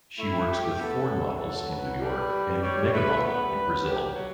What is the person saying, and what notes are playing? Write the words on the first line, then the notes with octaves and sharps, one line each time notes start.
She works with Ford Models in New York and Mega Model in Brazil.
A3 E4
G4
B3 A4
F#3
E3
F#3 A4
B4
G3
G3 C#5
G3
A3 B4
B3 B4
G3
F#3
F#3 G4
F#3